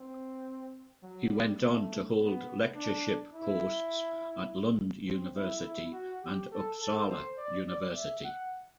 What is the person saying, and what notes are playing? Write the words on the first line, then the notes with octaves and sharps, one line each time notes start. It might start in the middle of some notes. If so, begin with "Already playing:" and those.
He went on to hold lectureship posts at Lund University and Uppsala University.
Already playing: C4
F#3
G3
A3
B3
D4
E4
C4
E4
E4
F#4
G4
A4
A4
C5
D5
D5
E5
F#5